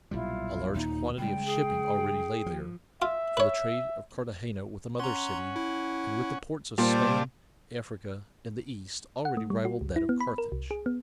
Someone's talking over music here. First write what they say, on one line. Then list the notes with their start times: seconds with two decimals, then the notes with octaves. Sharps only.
A large quantity of shipping already lay there, for the trade of Carthagena with the mother city and with the ports of Spain, Africa, and the East already rivaled that of Carthage.
0.11 B1 A#2 G3 E4 F4
0.75 D#2 A#2 D#4
1.18 C#3 G3 G#3 G5
1.45 G#4
2.46 F3
3.02 F4 E5
3.37 B4 C#5
4.99 C#4 F#5 A#5 C6
5.56 E4
6.78 A#2 G3 G4 C5 D5 A5
9.25 F#5
9.37 A3
9.50 G3
9.65 F#4
9.81 C#2
9.96 E4
10.09 B3
10.20 B5
10.38 A#4
10.52 C2
10.71 G#4
10.86 B3